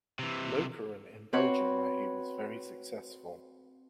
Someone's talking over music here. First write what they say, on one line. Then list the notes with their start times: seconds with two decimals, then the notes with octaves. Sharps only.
Lokeren in Belgium where he was very successful.
0.19 C3 E3
1.33 C4 F#4 B4 C#5